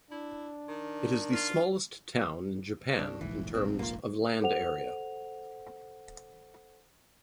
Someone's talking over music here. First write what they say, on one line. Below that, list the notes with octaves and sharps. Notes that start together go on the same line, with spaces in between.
It is the smallest town in Japan in terms of land area.
D4 E4
D#3
F4
G2 D4
F1 A#1 G#2 E3
A2 C4
A#3 F4
A4 C5 F#5 F7